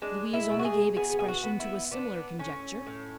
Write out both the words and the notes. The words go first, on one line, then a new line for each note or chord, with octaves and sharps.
Louise only gave expression to a similar conjecture.
G#3 D4
E4
B2
F#4
G#4
B3 G#4
G#4
F#4
B3
E4
B3 D4
A2 C#4
A2